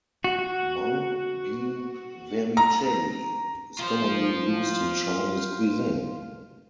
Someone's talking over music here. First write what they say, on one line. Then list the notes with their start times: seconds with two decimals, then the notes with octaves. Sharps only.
Mung bean vermicelli is commonly used in Chinese cuisine.
0.24 F#4
0.39 F#4
2.57 A#5
3.79 F4 C5